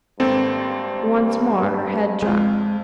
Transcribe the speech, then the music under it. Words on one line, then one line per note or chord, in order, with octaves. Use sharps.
Once more her head dropped.
G#1 G2 A#3 C4 A4
F2 G#3 F4